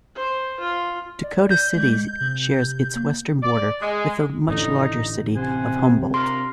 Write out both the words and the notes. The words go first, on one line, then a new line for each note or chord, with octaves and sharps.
Dakota City shares its western border with the much larger city of Humboldt.
C5
F4
D5
G6
G#3
C3
A#3
D5
G#3
A1 A2 D3 D#4
C3 C5 F#5 G#5
D4 F4 A#4 C6